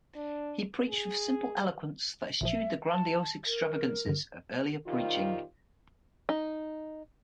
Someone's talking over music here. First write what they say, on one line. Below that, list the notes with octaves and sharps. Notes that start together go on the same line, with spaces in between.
He preached with a simple eloquence that eschewed the grandiose extravagances of earlier preaching.
D4
G#4
G#1 A#2 F3 E5
A5
A#4
G2 D3
C3 D#3 G3 F4
D#4